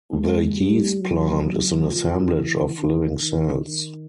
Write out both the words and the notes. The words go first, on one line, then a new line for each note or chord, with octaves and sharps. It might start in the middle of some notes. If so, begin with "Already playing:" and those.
The yeast-plant is an assemblage of living cells.
G#3
G3
F#3
F#3
F3
E3
D#3
D#3
D#3